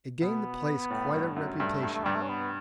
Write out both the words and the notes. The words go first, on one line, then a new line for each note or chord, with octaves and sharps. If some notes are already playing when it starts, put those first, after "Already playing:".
It gained the place quite a reputation.
B2 B3
A2
G2
F#2
G2 A3
G2
A3
G2 G3
A3
C#4
B3